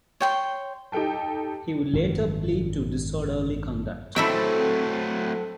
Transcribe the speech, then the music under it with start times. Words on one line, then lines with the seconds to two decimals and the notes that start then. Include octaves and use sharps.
He would later plead to disorderly conduct.
0.21 C#5 G5 C6
0.92 D#4 G4 A4 G5 A5
1.93 G#1 F#2 D3
4.16 F#3 A3 C4 E4 A4 E5 G5